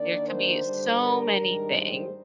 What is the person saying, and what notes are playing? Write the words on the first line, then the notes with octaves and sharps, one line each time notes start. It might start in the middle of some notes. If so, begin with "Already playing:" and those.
There could be so many things
Already playing: D#3 A#3 D4 D5
C5
D3 G3 D4
A#4
G#2 D#3 G3 D4
C5